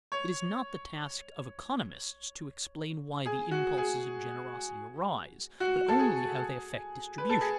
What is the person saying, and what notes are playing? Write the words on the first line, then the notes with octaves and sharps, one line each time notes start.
It is not the task of economists to explain why the impulses of generosity arise, but only how they affect distribution.
C#5
G#4
F#4
G#4
F#4
A4
G#4
B4
A4
G#4